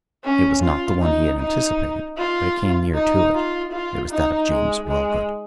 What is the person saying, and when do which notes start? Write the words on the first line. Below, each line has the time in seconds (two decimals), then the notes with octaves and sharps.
It was not the one he had anticipated, but it came near to it. It was that of James Wellgood.
0.24 C#4
0.63 F4
1.02 D#4
1.40 D#4
2.18 F4
2.94 D#4
3.34 F4
3.72 F4
4.11 D#4
4.50 G#3
4.88 G#3